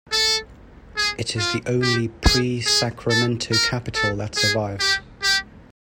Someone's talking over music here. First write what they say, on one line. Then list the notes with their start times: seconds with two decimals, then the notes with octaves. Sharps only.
It is the only pre-Sacramento capitol that survives.
0.12 A4
0.97 G#4
1.39 F4
1.82 G4
2.25 G#4
2.67 G#4
3.10 A4
3.53 A#4
3.95 A4
4.38 G#4
4.80 G4
5.23 G4